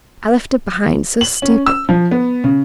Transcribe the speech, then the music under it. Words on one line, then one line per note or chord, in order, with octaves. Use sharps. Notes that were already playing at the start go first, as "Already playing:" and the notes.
I left it behind; so stupid!'
F#7
C#4
E6
F3
B3
C#3